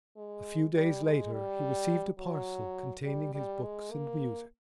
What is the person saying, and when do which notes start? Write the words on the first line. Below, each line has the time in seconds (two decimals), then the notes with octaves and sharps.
A few days later he received a parcel containing his books and music.
0.17 G#3
0.75 G3
1.03 G#3
1.33 G3
2.19 F#3
3.05 G3
3.34 G3
3.63 G#3
3.92 A#3